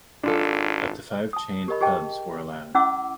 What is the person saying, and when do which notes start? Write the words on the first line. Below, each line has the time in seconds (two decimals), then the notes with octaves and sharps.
Up to five chained hubs were allowed.
0.23 G#1 D4 F4 A4
1.33 A5 D#6
1.68 G4 A#4 D#5 B5
1.81 G4 G#4 D#5 G5 A5
2.75 C#4 E4 E5 F#5 D6 E6